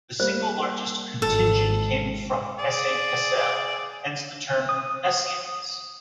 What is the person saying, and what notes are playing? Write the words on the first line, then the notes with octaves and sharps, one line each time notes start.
The single largest contingent came from Hesse-Kassel, hence the term "Hessians".
G3 A#3 C5
G#1 A4
G#4 D5
D#6